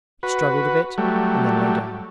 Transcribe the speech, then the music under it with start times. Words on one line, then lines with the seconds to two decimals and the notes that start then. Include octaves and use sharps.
He struggled a bit and then lay down.
0.23 F#4 B4
0.98 F#3 G3 A3